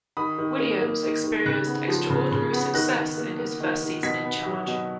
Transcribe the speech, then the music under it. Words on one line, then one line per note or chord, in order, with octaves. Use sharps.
Williams experienced extraordinary success in his first season in charge.
D#3 B5 D#6
D#3
A#3
A#3
D#3
D#3
C#3 F#6 A#6
B3
F3
C#3
C#3
B3
D#3 F#6 A#6
D#3
A#3
A#3
D#3
D#3
B2 G#6 B6
B3
F#3
B2